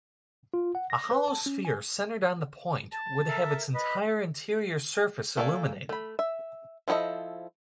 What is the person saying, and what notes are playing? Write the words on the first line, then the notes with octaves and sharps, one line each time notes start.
A hollow sphere centered on the point would have its entire interior surface illuminated.
F4
F#5
A#6
B4
A5
C#4
G#5
A5
A4 A#4 E5
B4 D#5 B6
A3 A#3 A4 D5 G#5
A3 B5
E5
F3 E4 G#4 A4 D#5